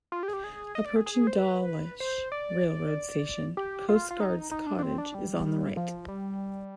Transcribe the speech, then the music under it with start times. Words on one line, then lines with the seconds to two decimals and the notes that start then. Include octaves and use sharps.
Approaching Dawlish railway station, Coastguard's Cottage is on the right.
0.12 F4
0.23 G4
0.28 G#4
0.33 G4
0.44 G#4
0.75 D#5
0.85 D5
0.96 G#4
1.06 G#4
1.27 C5
1.37 B4
2.00 C5
2.32 D5
3.57 G4
3.89 F4
4.11 F4
4.20 D#4
4.51 D#4
4.67 D4
4.79 D4
4.83 C4
4.98 D4
5.14 G3
5.77 F3
6.08 G3